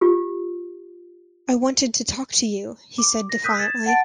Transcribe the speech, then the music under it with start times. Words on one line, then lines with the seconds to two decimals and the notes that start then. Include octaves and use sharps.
"I wanted to talk to you," he said defiantly.
0.01 F4 G4
2.98 D6
3.29 A#6
3.43 D#6 E6 F#6 G6 B6 D#7
3.58 G#6 A6 E7
3.86 F#5 A5 A6 D7